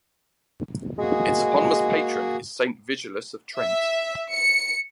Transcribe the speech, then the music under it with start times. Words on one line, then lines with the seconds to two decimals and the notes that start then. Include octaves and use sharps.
Its eponymous patron is Saint Vigilius of Trent.
0.98 G#3 A#3 F#4 G#4
3.59 E5
4.34 C#7